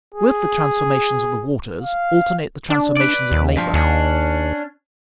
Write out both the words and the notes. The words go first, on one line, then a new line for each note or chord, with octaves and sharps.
With the transformations of the waters alternate the transformations of labor.
G#4
F5
D4
B4 D5
D#2
G2 F3
D#2 C#4 D4